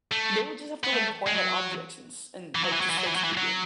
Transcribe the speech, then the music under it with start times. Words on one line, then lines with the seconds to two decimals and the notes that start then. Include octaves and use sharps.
they would just have to, like, point at objects and s and, like, just start speaking.
0.11 A3
0.83 B3
0.93 A3
1.26 G#3
1.33 F#3
2.55 E3
2.64 F#3
2.72 E3
2.81 F#3
2.90 E3
2.98 F#3
3.07 E3
3.16 F#3
3.24 E3
3.37 F#3